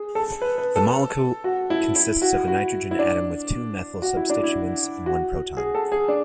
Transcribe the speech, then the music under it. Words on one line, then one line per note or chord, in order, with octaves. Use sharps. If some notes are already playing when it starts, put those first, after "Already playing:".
The molecule consists of a nitrogen atom with two methyl substituents and one proton.
Already playing: G#4
A4
B4
B4
A4
F#4
E4
E4
F#4
F#4
E4
D4
F#4
E4
D4
E4
F#4
G#4
A4
G#4
D4